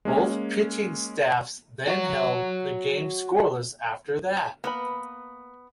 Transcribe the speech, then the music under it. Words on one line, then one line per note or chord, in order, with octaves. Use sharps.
Both pitching staffs then held the game scoreless after that.
G#3 A#3 C#4 G#5
F#4 C#5
A#3 B3 B4 B5